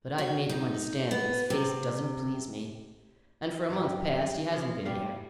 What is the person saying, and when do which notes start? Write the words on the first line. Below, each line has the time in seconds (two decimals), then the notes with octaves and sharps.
But I've made him understand that his face doesn't please me, and, for a month past, he hasn't been here.
0.18 F#4
0.49 D#4
1.11 B3
1.50 C3
3.70 G2 F#3 G4
4.52 E3 F3
4.85 B1 G3 F5